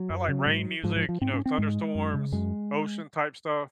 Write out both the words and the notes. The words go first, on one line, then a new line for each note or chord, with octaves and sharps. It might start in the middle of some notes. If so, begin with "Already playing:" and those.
I like rain music, you know, thunderstorms, ocean type stuff
Already playing: F#3
F#2
C#3
G#2
G#2 F3
F3
F3
G#2 C4
C#4
C4
G#2 G#3
F#2
C#3
F#2 G#3